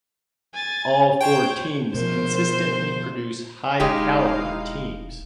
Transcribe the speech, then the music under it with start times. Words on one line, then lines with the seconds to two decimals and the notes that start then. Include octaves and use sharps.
All four teams consistently produce high-caliber teams.
0.53 G#5 A6
1.21 C5 C#5 G5
1.95 B2 F3 A#4 C5
3.80 E1 G#3 D#4 E4 G4 F5